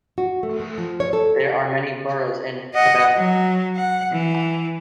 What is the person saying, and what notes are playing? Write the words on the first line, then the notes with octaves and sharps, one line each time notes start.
There are many boroughs in Quebec.
F#4
A3
A3
F3
C#5
A4
D#5 F#5
F#3
F#5
E3